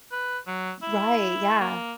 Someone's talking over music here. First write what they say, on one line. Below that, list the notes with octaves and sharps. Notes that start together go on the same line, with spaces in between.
Right, yeah.
B4
F#3
E4
A#3